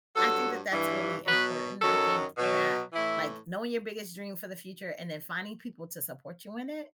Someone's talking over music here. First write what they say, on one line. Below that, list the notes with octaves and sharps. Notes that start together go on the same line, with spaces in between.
I think that that's really important. I think that, like, knowing your biggest dream for the future and then finding people to support you in it
G2 F#3 A4
G2 E3
B2 F#3 B4
F#2 D#3 F#3 A4
B2 F#3
A2 E3 E4